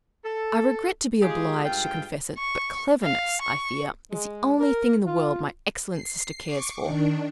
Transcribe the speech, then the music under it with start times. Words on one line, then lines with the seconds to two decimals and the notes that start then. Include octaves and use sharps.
I regret to be obliged to confess it, but cleverness, I fear, is the only thing in the world my excellent sister cares for.
0.24 A4
1.22 G#3 F4 G4 G#4
1.65 G2 G#3 F4 G5
2.38 C#6
3.03 F5
3.42 C#6
4.11 G#3
4.60 A#4
5.07 F4
5.91 C7
6.45 C#6 D6
6.82 D#3 D4